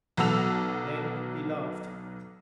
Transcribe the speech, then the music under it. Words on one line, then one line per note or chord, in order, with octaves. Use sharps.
Then he laughed.
B1 F#3 B3 A4 E6 F7